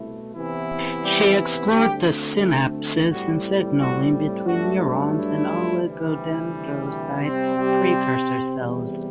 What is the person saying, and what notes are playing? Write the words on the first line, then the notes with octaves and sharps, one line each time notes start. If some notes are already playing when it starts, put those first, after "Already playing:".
She explored the synapses and signaling between neurons and oligodendrocyte precursor cells.
Already playing: C2 B2 A3 E4
C3 E3 B3 E4
G3 G4
D2 D3 G3 A3 C4 G4
E4
A2 G3 C4 E4 F#4
F#4
G2 F#3 A3 D4 F#4
E4
D2 C3 E3 G3
C3 G3 C4
G3 G4
E2 C3 G3